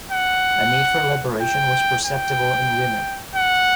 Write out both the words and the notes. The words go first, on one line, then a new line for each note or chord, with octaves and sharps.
A need for liberation was perceptible in women.
F#5
G5
G5
F#5